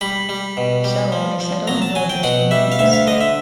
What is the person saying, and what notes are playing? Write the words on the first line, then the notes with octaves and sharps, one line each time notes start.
So, they settle in villagers’ communities.
G3 B5
G3
B2
G3
F3
F3
F#3 A#5
A5
F#3 G#5
G5
B2 F#5
G3 E5
F5
D2 E5
F5
D3 D#5
E5